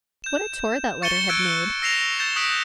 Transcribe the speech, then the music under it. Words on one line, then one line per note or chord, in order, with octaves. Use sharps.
What a tour that letter had made!
G6 E7
C#6 A6 C#7 D#7 E7 G7
E6 F#6 G#6 C#7 D7
E6 A#6 C7 E7 F7
G6 A6 E7 G7
C#6 D#6 F#6 B6 D7